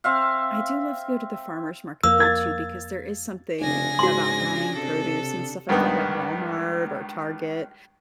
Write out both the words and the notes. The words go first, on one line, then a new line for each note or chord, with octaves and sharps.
I do love to go to the farmer's market though too, because there is something about buying produce and stuff like that at Walmart or Target
C4 E5 F5
F2 A#3 E6
G#6 A6
F1 C#3 D4 G#5 A#6
G#2 F#4 C6
C3 A4
C#2 G2 D#3 B3